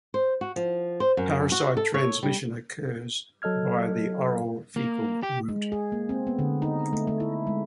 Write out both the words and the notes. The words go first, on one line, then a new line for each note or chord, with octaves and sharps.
Parasite transmission occurs via the oral-fecal route.
C5
F#4
F3
C5
F#2
F#4
A4
C#5
G3
F#3 A4 D#5 F6 G#6
A#3
G4
G#3
G#4
A#3
C4
B3
D3
D#4
A3
A3
E4
G#3